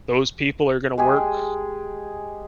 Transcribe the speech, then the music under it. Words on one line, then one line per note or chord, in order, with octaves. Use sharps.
those people are gonna work
G#3 G4 G#4